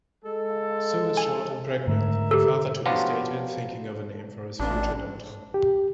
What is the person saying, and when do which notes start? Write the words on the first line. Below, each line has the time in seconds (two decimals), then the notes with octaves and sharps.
"Sue is short and pregnant", the father-to-be stated, thinking of a name for his future daughter.
0.25 G#3 A4
1.17 G#5
1.87 G#2 D3 A3 A#4 E5 A#5
2.31 G4 A4
2.86 F3 F#3 B3 D4 F4 G4
4.60 A1 D4
5.54 G4